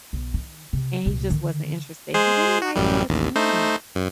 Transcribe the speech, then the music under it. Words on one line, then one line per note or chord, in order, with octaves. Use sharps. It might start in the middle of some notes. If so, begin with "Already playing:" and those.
and he just wasn't interested, he didn't like cartoons.
B1
D#3
C3
C2 A#2
D3 D#3
G#3 G#4 C5
F#4
A1 F#2 G3
A1 D#2
A3 D#4 C5
F#2